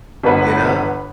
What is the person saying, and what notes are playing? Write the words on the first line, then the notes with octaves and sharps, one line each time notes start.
You know?
G1 B3 B4 F#5